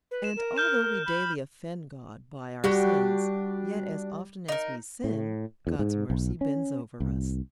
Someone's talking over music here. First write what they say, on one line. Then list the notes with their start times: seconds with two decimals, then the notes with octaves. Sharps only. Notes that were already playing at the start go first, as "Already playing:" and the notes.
And although we daily offend God by our sins, yet as often as we sin, God's mercy bends over us.
0.11 B4
0.24 E7
0.36 A#4
0.56 F6 G6 E7
1.06 B5
2.64 G3 D4 F#4 G4
4.48 D#4 A#4
5.04 A2
5.67 E2
5.79 G#2
6.10 B1
6.41 C#4
7.00 C2